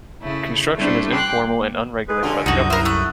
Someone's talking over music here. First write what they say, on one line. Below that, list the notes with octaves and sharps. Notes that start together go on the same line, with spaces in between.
Construction is informal and unregulated by the government.
C#3 A3 E4
G3 A3 C4 D4 E4
G5 C6 D6 F#6
A#3
G#3 G#4 B4
D3 G3 G#3 C#4 F4
C2 F#2 D#4 F#4 F#5 D#6 G6
E4 A#4 C5
A3 F#6